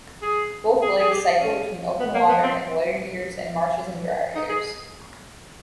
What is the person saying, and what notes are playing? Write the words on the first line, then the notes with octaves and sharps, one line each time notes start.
Both lakes cycle between open water in wetter years and marshes in drier years.
G#4
G#4
G#4
G4
C#4
B3
A#3
B3
C4
D#4
G#4